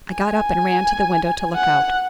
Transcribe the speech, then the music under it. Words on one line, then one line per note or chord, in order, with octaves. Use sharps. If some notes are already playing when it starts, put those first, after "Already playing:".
I got up, and ran to the window to look out.
G#5
F#5